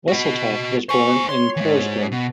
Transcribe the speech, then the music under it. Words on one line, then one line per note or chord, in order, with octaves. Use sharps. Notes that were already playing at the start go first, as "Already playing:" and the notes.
Wesseltoft was born in Porsgrunn.
F#4 D#5
C5 G#5 C#6
C#5 C6
G#2 E3
B2